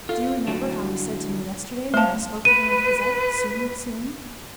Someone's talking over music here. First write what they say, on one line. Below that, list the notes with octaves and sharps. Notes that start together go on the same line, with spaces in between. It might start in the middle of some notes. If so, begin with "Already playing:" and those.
Do you remember how he said to me yesterday, when I spoke to him of Cosette, Soon, soon?
F4 A4
D3 F#3
A3 C5 F5 A5
B4 D#7